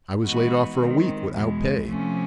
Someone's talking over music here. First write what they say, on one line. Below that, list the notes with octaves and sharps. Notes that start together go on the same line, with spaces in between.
I was laid off for a week, without pay.
E3 G#3 B3 D#4 F#4
D#3 G#3 C4
E2 B2 G#3
C3 F3 A3 C#4